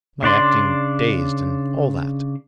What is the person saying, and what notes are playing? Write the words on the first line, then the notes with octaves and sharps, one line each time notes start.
"My acting dazed and all that?"
C#3 D4 D5 C6